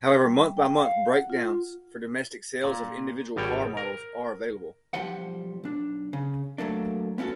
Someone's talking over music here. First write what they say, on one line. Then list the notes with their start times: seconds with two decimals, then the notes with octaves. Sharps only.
However, month by month breakdowns for domestic sales of individual car models are available.
0.23 G3
0.57 G5
0.81 F5
1.08 F#5
1.30 F4
2.64 A#2
3.36 G#1 B2 G3 C#5 G5
3.77 A#4
4.93 B1 F3 G3 C5 F#5
5.64 B1 D4
6.13 C#3
6.58 F#3 A3 A#3 D4
7.18 B3 C#4 E4 F#4 A4